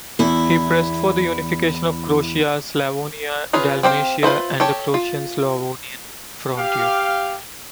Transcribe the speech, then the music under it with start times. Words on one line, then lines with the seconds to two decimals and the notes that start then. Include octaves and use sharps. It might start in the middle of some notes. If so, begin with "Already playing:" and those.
He pressed for the unification of Croatia, Slavonia, Dalmatia, and the Croatian-Slavonian Frontier.
0.19 E2 E4
3.53 C#4 F4 G#4 B4
3.83 C4 G4 C5 F5
4.23 F4 B4 C5 E5
4.60 G4 A4 C#5
4.94 F4
6.57 G4 F5